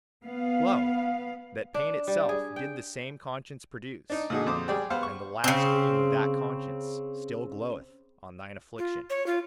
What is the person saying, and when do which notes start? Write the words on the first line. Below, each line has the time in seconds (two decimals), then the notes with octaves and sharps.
Lo, that pain itself did the same conscience produce; and the last gleam of that conscience still gloweth on thine affliction.
0.24 B3 F5
1.74 D4
2.07 G3
2.29 G#4
2.56 G5
4.10 D4 D#4
4.30 A#2 D3 D#4 F#4 G#4
4.46 F2 C5 D6 D#6
4.68 G3 G#4 D5 G5
4.90 B3 C5 F5 F#5
5.03 C#6
5.44 C#3 C4
8.79 F4
9.10 C#5
9.27 F4